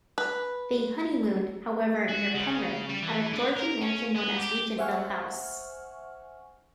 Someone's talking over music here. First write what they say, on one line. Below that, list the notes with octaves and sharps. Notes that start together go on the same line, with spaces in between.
They honeymooned, however, near Penrith, at a Georgian mansion known as Regentville House.
B4
F#4
C#3
G3
E3
D3
A#4
C#4
B3
G4
C5 E5 F#5 G#5 C#6 F6